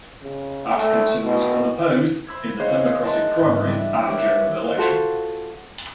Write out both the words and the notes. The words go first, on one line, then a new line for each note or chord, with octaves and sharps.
Atkinson was unopposed in the Democratic primary and general election.
C#3
A3
B2
C5 B5 E6 G#6
G#4 C5 C#5 D#5 F5 F#5
A#4 D#5 A5 C6 F#6
A1 G#2
G3 B3 D4 E4
E4 G4 A#4 C#5 E5 F#5
F4 F#4 A4 C5